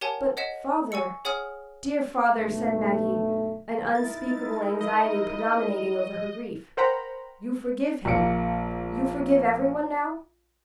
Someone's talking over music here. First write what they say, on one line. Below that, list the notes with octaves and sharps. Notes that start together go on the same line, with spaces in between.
"But, father, dear father," said Maggie, an unspeakable anxiety predominating over her grief, "you forgive him--you forgive every one now?"
G4 A#4 C#5 F#5 G#5 A5
C#5 D#5 F#5 B6 E7
G#5 C#6 E6 C#7
G#4 C#5 F#5 G#5 D#6 F6
B1 G2 A3
D#4 E4 A#4 A6
D#5
A#4 C5 F#5 G5 A#5 B5
A#1 A#3 E6 C#7 D7